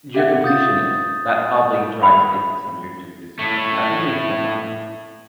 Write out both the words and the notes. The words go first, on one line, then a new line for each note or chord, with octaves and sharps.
you're completionist; that probably drives into some of your jujitsu-ness, and that's something to keep in mind,
G4 E5 F#5
F4 D#6 G6 A6
B5
A2 A3